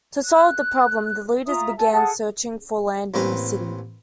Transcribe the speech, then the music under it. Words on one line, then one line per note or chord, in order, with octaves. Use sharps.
To solve the problem, the leaders began searching for land in the city.
F#6
F4 E5 A#5 D#6
A4 G#5
G#4 A4 F#5
A1 A#3 C4 C#4 B4 A#5